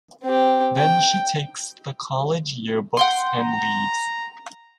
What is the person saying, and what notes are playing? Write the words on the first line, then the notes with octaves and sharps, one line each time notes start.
Then she takes the college yearbooks and leaves.
C4 G4
G5
F#5 G5 C6
A#5